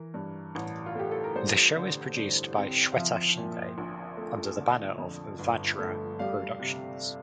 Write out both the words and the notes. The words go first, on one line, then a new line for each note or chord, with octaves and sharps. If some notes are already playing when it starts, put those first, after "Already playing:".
The show is produced by Shweta Shinde under the banner of Vajra Productions.
Already playing: E3 A#4
G2
A1
F4
A3 G4
A4
A#4
G3 C5
D3
G2
C4
F5
F3 E5
A#2
A#1
A3
D3
F2
G1
A3
G3 F5
C3